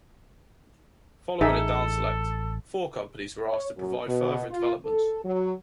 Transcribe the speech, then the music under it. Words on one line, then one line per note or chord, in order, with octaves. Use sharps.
Following a downselect, four companies were asked to provide further developments.
A1 D#4 G#4 A4 E5
C#5
F#2
B2
F4
A4
F#3